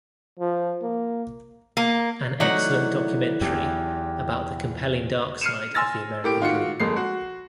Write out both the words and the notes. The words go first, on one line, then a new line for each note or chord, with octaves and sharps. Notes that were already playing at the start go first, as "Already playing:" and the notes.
An excellent documentary about the compelling dark side of the American dream.
F3
A#3
A#3
E3 F#3 A3 B3 D#4 D5 F#5 F#6
E2 G4
F6 C7 C#7 D#7 E7
G#5 C6 E6 F6 A6 A#6
A2 A#3 G4 D6 D7
D#3 F4 F#4 C#7
G1 F2 G#3 A#3 C7
F#4